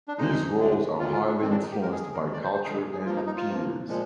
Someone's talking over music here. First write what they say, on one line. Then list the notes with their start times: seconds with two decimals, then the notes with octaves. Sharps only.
These roles are highly influenced by culture and peers.
0.08 D4
0.18 D2 D3 G#3 D#4
0.59 D2 D3 G#3
1.00 D2 D3 G#3 F4
1.14 F4
1.28 D4
1.42 F2 D#3 G#3 C4
1.51 D4
1.62 D#4
1.72 G4
1.82 F2 D#3 G#3 A#4
1.92 G#4
2.03 G#4
2.13 A#4
2.23 F2 D3 G#3
2.33 D5
2.43 C5
2.54 C5
2.64 F2 D3 G#3 G#4
2.92 G#4
3.06 G2 F3 A#3 F4
3.16 D#4
3.26 D#4
3.37 F4
3.46 G2 F3 A#3
3.88 A#2 F3 G#3